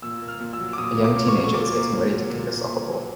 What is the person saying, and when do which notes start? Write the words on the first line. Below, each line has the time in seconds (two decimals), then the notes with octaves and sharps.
A young teenager is getting ready to kick a soccer ball.
0.02 A#2 E6
0.22 A#3
0.28 F6
0.40 A#2
0.53 E6
0.60 F#3
0.73 D6
0.78 A#2 D#6
0.97 A#3
1.04 D6
1.17 A#2
1.28 C#6
1.35 F#3
1.44 C#6
1.54 A#2 D6
1.74 A#3
1.93 A#2
2.11 F#3
2.30 A#2
2.49 A#3
2.68 A#2
2.87 F#3